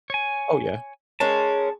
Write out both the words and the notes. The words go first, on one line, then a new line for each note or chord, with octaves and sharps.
Oh, yeah.
C#5 G#5
G#3 C#4 A#4 A5